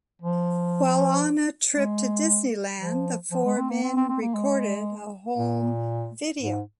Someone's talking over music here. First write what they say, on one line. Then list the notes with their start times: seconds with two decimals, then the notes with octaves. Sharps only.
While on a trip to Disneyland, the four men recorded a home video.
0.22 F3
1.76 G#3
2.80 F3
3.31 F3
3.45 G#3
3.57 C4
3.70 A#3
3.83 C4
3.97 C4
4.09 C4
4.22 A#3
4.34 G#3
5.38 A#2
6.42 G#2